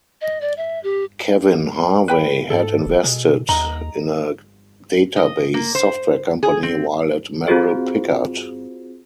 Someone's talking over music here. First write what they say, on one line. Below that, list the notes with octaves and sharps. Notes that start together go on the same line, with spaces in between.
Kevin Harvey had invested in a database software company while at Merrill Pickard.
D#5
D5
E5
G4
B4 G5 B5
G#2 A4
D1
B2 G#3
D#2 D#4 A#5
D#5
A#3
C5
G#4
C4
C4 F4 F#4 G#4 C5